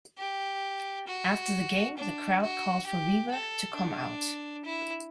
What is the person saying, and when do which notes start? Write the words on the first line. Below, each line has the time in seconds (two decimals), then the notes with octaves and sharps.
After the game, the crowd called for Weaver to come out.
0.18 G4
1.08 F#4
1.98 D4
2.42 F#4
2.87 G4
3.31 A4
3.75 D4
4.65 E4